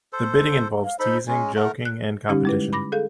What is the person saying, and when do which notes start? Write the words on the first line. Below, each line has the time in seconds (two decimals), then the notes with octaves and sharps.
The bidding involves teasing, joking, and competition.
0.13 A4 C5
0.84 F5
0.99 D#4 A4 C5 B5
1.28 G#3 C#4 G#5
1.56 A3 A#4 F#5
1.85 F#6
2.29 D3 G3 C#4 D#4 G4
2.45 G#3 E4 B4
2.73 B5 D6 A#6
2.92 G#4 A4 F5